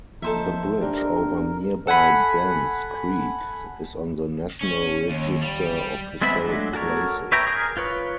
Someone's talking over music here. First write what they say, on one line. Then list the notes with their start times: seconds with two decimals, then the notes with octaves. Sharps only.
The bridge over nearby Bens Creek is on the National Register of Historic Places.
0.22 D#3 F3 A#3 D#4 A4 C5 E5
0.81 D4 D#4 G4 A#4 D5
1.87 A4 F#5 G#5 B5
4.61 C#4
5.10 D#2
5.41 G3
6.22 G#3 B3 C4 E5 B5
6.38 F#3 G#3 A3 D4
6.73 F#4 A4 A#4 C#5
7.32 B4 C#5 E5 G5 A#5
7.47 G#4 A#4
7.77 F4 B4 C#5